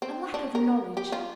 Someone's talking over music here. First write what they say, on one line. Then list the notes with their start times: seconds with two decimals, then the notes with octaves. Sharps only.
A lack of knowledge.
0.02 C4
0.34 D4
0.55 A#4
0.97 G4
1.12 F4